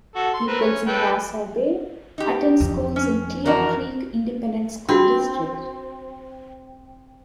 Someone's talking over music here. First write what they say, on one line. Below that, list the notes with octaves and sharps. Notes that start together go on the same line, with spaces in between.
Pupils in Nassau Bay attend schools in Clear Creek Independent School District.
F#4 A4
C6
C4 A#4 B4
C#4
A4 B4 G5
D#4 G4
F2 D#3
C#4
E2 F#4 A#4 A5
C4 D4 F4 F#4